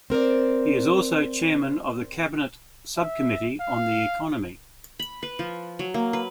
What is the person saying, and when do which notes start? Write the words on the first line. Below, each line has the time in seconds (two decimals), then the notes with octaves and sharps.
He was also Chairman of the cabinet sub-committee on the economy.
0.10 C4 A#4 C5 D5
2.97 E5
3.60 F5
4.99 B5
5.23 B4
5.39 F3
5.79 F#3
5.94 A#3
6.13 B4